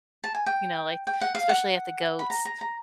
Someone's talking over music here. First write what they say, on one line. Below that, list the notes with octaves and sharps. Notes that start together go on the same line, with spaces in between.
you know, like, especially at the goats
A5
G#5
G5
G5
F#5
F5
F#5
B5
A#5
A#5
A#5